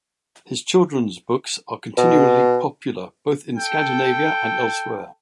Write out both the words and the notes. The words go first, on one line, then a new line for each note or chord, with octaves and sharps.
His children's books are continually popular, both in Scandinavia and elsewhere.
B2
A4 G5